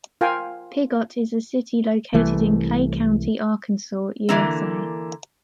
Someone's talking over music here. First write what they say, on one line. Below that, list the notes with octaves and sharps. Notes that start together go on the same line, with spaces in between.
Piggot is a city located in Clay County, Arkansas, USA.
F4 A#4 F5 G5 G#5
C2 E3 A3
D3 E3 A#3 C4